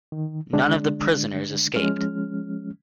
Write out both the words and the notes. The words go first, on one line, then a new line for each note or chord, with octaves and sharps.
None of the prisoners escaped.
D#3
D3 G#3 D4
F3 G#3 C#4 F6